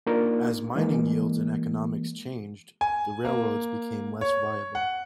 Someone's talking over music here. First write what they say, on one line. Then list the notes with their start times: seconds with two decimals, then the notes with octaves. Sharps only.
As mining yields and economics changed, the railroads became less viable.
0.07 A#3 D4 D#4 F4 A#4
0.76 E3 G#3 A#3
2.81 G#5
3.25 A#3
4.21 C#5
4.75 F#5